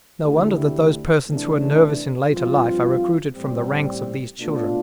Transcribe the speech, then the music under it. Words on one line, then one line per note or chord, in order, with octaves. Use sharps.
No wonder that those persons who are nervous in later life are recruited from the ranks of these children.
D2 D3 A3 E4 G4
C3 E3 A3 D4
G2 F3 C4 F4
A1 A2 G3 C4 G4
B2 A3 D4 F4